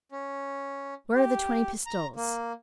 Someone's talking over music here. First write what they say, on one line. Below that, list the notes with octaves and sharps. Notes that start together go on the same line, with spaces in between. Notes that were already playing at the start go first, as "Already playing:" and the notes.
"Where are the twenty pistoles?"
C#4
G4
A#5
A#3